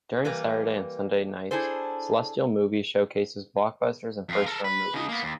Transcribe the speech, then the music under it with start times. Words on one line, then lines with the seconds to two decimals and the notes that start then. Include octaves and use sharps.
During Saturday and Sunday nights, Celestial Movies showcases blockbusters and first-run movies.
0.25 E3 G3 A#3 B4
1.51 D4 E4 G#4 A4 C5
4.29 F2 F4
4.46 A4 A#4
4.64 B4
4.94 C#3 D#5
5.09 A#3 B3
5.23 D#2